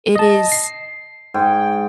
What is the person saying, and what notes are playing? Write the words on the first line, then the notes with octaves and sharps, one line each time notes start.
It is
D#5 A5
C7
G#2 G5